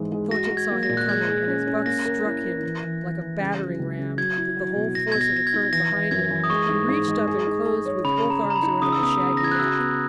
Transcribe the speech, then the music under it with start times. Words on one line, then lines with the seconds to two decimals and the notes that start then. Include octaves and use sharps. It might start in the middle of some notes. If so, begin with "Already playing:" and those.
Thornton saw him coming, and, as Buck struck him like a battering ram, with the whole force of the current behind him, he reached up and closed with both arms around the shaggy neck.
Already playing: G#2 E3 G#3
0.12 G#3
0.31 F#4 A#6
0.51 F#4
0.57 G#6
0.70 A#3
0.83 A#6
0.89 A#2
0.97 F#6
1.08 G#3 G#6
1.28 G#4
1.48 C#4
1.67 C#4
1.85 A#3 A#6
2.05 A#4
2.25 E4
2.44 A#4
2.63 E3
2.83 E3
3.02 E3
3.21 E3
3.41 C#3
3.60 F#3
3.79 C#2
3.99 C#3
4.18 F#3 G#6
4.37 E4
4.57 F#3
4.76 B2
4.95 B2 A#6
5.12 B2 G#6
5.21 A#6
5.34 B2 A#6
5.47 G#6
5.53 D#4
5.73 E3 A#6
5.92 E3
6.11 F#2 G#6
6.30 E3
6.44 D#6
6.50 G#3 C#6
6.69 G#2
6.89 G#2
7.08 G#3
7.27 G#4
7.47 D#4
7.66 G#4
7.86 C#5
8.04 C#3 B5
8.24 C#3
8.30 A#5
8.43 C#3
8.50 A#5
8.56 B5
8.62 D#4
8.82 C#3 D#6
8.92 E6
9.01 B3 D#6
9.21 C#3
9.37 A#6
9.40 C#3 G#6
9.51 F#6
9.59 F#4 E6
9.79 B3